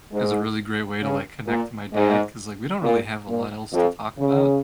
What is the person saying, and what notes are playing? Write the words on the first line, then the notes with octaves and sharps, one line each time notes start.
as a really great way to, like, connect to my dad, 'cause, like, we don't really have a lot else to talk about,
G#2
C#3
A#2
G#2
A#2
A#2
F2
C#3